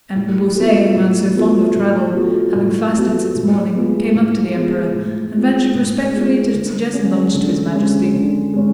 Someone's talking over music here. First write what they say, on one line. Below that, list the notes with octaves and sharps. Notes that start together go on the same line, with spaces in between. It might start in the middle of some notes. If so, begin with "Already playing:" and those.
M. de Beausset, the man so fond of travel, having fasted since morning, came up to the Emperor and ventured respectfully to suggest lunch to His Majesty.
A2
F3 B3 F#4 A4
A2
F3 B3 F#4 A4
A2
F3 B3 F#4 A4
A2
F3 B3 F#4 A4
A2
G#3 B3 F4 G#4
A2
G#3 B3 F4 G#4
A2
G#3 B3 F4 G#4
A2
G#3 B3 F4 G#4
D3
G#3 C#4
D3
G#3 C#4
D3
G#3 C#4